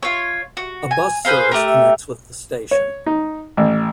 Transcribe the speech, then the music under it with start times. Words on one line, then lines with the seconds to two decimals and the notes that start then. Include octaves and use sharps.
A bus service connects with the station.
0.03 F4 C#5
0.57 F#4
0.91 G#5
1.25 G#4 B4 C5 F5
1.52 A3 G4 A#4
2.71 C#5
3.06 D#4
3.57 A1